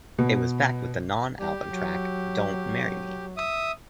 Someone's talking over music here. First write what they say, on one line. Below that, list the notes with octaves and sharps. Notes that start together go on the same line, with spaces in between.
It was backed with the non-album track "Don't Marry Me".
B2
G3 G4
F#3
E5 D#6